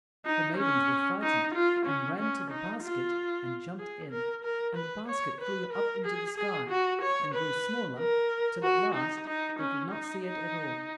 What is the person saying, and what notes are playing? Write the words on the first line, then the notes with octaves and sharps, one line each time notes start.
The maidens were frightened, and ran to the basket and jumped in, and the basket flew up into the sky, and grew smaller till at last he could not see it at all.
D#4
C#4
D#4
F4
C#4
C#4
D#4
F4
G#4
A#4
A#4
B4
C#5
B4
A#4
G#4
G#4
F#4
C#5
B4
A#4
F#4
D#4
D#4
C#4
D#4
D#4